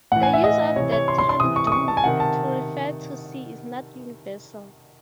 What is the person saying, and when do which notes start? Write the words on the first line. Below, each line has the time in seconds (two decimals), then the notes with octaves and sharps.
The use of the term "Do" to refer to C is not universal.
0.12 A2 E3 F#5
0.23 G#5
0.33 E5
0.44 D#5
0.76 C3 E3 C#5
0.92 C#5
1.08 C6
1.19 C6
1.29 C6
1.40 C3 E3 D#6
1.56 C#6
1.67 D#6
1.72 C#6
1.88 A5
1.97 G#5
2.04 C3 D#3 F#5
2.20 A5